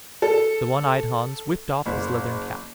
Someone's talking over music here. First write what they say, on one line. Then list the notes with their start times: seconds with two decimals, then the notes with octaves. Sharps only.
The one-eyed Hans whipped off his leathern cap.
0.22 A4
1.86 F#1